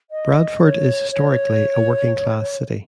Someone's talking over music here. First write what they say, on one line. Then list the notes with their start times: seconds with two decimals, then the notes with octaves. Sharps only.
Bradford is historically a working class city.
0.10 D#5
0.61 C#5
1.11 C#5